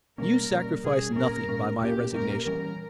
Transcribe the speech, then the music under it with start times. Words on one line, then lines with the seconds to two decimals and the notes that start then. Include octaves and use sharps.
You sacrifice nothing by my resignation.
0.18 B2 G3 A#3 C#4 A#4
0.51 B2 G3 A#3 C#4
0.84 B2 G3 A#3 C#4 G#4
1.16 A#2 A#3 C#4 A#4
1.49 A#2 A#3 C#4
1.81 A#2 A#3 C#4 G4
2.14 A#2 A#3 C#4 A#4
2.46 E3 G3 C#4 A#4